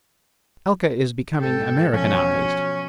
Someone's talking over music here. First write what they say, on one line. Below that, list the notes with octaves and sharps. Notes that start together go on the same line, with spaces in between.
Alca is becoming Americanised.
G#2 A4 G5
B2 F3 F#3 C#4 C#5